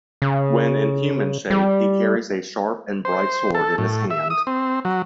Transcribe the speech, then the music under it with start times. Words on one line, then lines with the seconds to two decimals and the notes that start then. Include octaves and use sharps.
When in human shape he carries a sharp and bright sword in his hand.
0.22 C#3
1.50 G3
3.05 C5
3.55 A4
3.78 A2
4.10 E5
4.30 D#6
4.47 C4
4.85 F#3